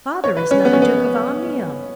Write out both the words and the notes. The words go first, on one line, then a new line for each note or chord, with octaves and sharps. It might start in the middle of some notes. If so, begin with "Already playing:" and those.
Father is not a Duke of Omnium.
C#5
B4
C#4
B3
C#4
B3